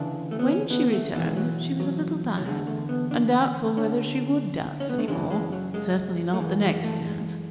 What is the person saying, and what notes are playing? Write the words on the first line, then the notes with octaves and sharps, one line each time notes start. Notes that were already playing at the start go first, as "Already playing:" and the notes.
When she returned, she was a little tired, and doubtful whether she would dance any more--certainly not the next dance.
Already playing: D2 C#3 E3 D4
A3
B3
C#4
B3
A3
B1 A2 E3 F#3
G#3
F#3
F#3
F#3
E2 D3 G#3
A3
B3
D4
D2 D3 C#4
C#4
B3
A3
F#2 C#3 E3 G#3
G#3
F#3
G#3
A3
F#2 E3 G#3
G#3
A3
G#3